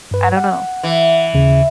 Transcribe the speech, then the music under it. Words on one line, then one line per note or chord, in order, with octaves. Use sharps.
I don't know.
G2 B4
F#5
E3
D#2 C#3